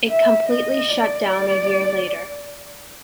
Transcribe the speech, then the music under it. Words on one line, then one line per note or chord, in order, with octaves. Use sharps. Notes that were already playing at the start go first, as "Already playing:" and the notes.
It completely shut down a year later.
E5
D#5
D5
D5